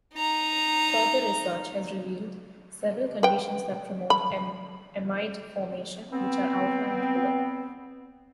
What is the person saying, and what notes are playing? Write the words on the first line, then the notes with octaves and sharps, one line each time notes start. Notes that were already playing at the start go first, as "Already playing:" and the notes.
Further research has revealed several conditions that promote amide formation, which are outlined below.
D#4 A#5
B4 G5
B5
B3 C4